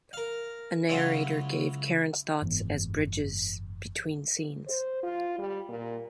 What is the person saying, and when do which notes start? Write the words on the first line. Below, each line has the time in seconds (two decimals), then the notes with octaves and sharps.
A narrator gave Karen's thoughts as bridges between scenes.
0.13 A#4 F5
0.89 C#2 F#3 E4 F4 C#5 E5
2.42 F#1 G#2 E3 B3
4.67 C5
5.03 F4
5.39 G3
5.69 A#2